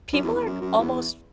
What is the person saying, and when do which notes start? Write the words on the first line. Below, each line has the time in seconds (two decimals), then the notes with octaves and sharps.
people ark almost
0.13 F#2
0.24 E2
0.35 E2
0.46 F#2
0.62 F#2
0.78 E2